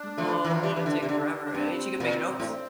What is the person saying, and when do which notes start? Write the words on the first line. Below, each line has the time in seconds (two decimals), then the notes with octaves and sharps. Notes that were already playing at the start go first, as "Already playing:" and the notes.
Oh, it take forever and she could make notes.
Already playing: D4
0.18 F3 A3
0.45 E3
0.54 F3
0.63 E3 G3
0.76 E3
0.86 D3
1.02 C3
1.09 D3
1.45 D4
1.54 G2 C4
2.00 A#2
2.40 A2